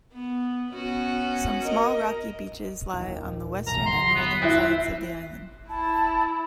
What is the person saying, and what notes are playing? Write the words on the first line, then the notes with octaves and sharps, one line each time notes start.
Some small rocky beaches lie on the western and northern sides of the island.
B3
B3 C#4 F#4
A#4 D#5
D#2 A#2
E1 B1 A#5
G1 E2 C6
B3
C4 E4 F#6 B6
E4 A5